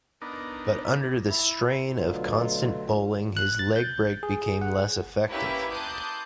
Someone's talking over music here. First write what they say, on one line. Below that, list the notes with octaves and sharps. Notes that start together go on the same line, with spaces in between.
But under the strain of constant bowling, his leg break became less effective.
B3 D4 D#4 A#4
E4
B2 D3 F#3 A3 F4
F#6
A6
G6
G#4
F#5
A#3 C#4 E4 G4 B4 E5
A5 C6 D6 D#6 F#6 G6